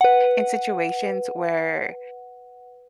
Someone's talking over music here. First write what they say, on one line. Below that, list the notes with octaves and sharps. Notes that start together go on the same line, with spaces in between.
in situations where
B4 F#5